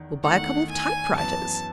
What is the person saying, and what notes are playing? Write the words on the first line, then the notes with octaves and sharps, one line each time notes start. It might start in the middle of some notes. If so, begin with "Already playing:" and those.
We'll buy a couple of typewriters.'
Already playing: E2 D#3
E2 D#3 A3 F#5
G#5
F#2 E3 B3 A5